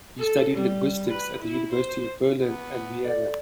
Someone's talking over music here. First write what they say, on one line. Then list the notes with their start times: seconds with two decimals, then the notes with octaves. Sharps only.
He studied linguistics at the universities of Berlin and Vienna.
0.18 A4
0.54 G3
1.09 B4
1.39 E4
1.72 C5
2.40 B3
3.04 A4 D5